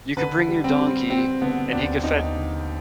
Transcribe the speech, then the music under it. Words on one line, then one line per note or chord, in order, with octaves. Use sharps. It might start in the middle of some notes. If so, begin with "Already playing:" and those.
you could bring your donkey and he could fetch"
D3 B4
G3
C4
G3
G3 C4
D3 B3
D#2 D4
D#2 D#4
D3